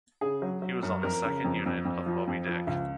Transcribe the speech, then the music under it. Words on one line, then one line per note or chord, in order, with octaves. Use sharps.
He was on the second unit of "Moby Dick".
C#3 G#4
F#3
F#3
F#2
F2 A#4
C#3
F2
F2
F2
F3
F2
F3
C#2